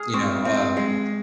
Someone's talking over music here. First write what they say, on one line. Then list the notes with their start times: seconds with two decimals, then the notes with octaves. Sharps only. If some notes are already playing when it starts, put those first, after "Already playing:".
you know, um,
Already playing: G#4 D#6 F6
0.14 C4 C#6
0.45 C4
0.77 G#3